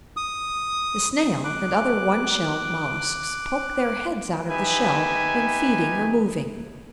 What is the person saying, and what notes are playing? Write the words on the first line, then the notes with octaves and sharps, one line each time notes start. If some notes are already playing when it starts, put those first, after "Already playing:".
The Snail, and other one-shelled molluscs, poke their heads out of the shell when feeding or moving.
D#6
D6 F#6
D#4 G4 B4 E5 G#5